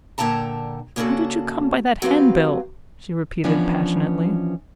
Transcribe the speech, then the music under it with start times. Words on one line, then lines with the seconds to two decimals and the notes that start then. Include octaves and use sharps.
"How did you come by that handbill?" she repeated, passionately.
0.18 A#2 D3 G5 A5 A#5
0.96 C#3 A#3 C#4 D4 F#4 A4
2.02 F#3 C4 G4 B4 F5
3.44 E3 F3 B3 C#4 D4